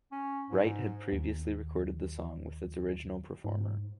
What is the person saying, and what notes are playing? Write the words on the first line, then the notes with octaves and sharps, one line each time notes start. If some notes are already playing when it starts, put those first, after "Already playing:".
Wright had previously recorded the song with its original performer.
C#4
G#2
D#2
G#2